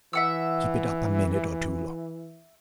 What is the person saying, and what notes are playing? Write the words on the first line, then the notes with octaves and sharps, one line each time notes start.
Keep it up a minute or two longer.
E3 E5 F#5 E6